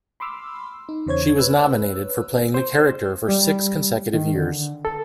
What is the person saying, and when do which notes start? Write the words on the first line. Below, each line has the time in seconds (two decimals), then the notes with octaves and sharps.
She was nominated for playing the character for six consecutive years.
0.20 B5 C6 D6 E6 F6
0.89 D#4
1.06 E2 C#3 C5 C#5 G#6
1.37 B4 C#5 E6 F#6
2.54 C5
3.29 G3
4.14 D#3
4.35 D3
4.85 A4